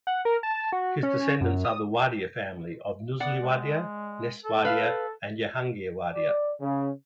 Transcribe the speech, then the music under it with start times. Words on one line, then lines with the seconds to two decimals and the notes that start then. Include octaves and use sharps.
His descendants are the Wadia family of Nusli Wadia, Ness Wadia and Jehangir Wadia.
0.07 F#5
0.25 A#4
0.43 A5
0.72 F#4
1.03 C#4
1.41 F#2
1.65 D#6
3.20 B3 D5 F#5
3.40 G#3
4.45 A4
4.65 B4 F5
6.14 D5
6.60 C#3